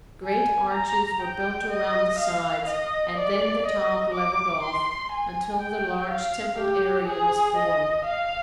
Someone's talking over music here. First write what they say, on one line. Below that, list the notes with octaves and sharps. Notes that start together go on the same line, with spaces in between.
Great arches were built around the sides and then the top leveled off until the large temple area was formed.
G#5
A#5
G5
D#5
F5
D#5
D5
D#5
D6
C6
G#5
G5
F5
G4
G#4
D#5
F5